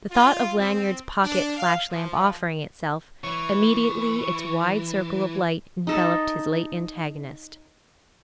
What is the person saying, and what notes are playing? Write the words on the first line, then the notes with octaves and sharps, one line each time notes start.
The thought of Lanyard's pocket flash-lamp offering itself, immediately its wide circle of light enveloped his late antagonist.
F4
C4
D4
F5
F3
E3 C#6
D#4 A4